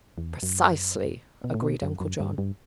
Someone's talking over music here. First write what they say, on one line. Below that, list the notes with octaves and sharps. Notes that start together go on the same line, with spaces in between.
"Precisely," agreed Uncle John.
E2
F#2
B2
A2
B2
F#2
F#2
G2
G2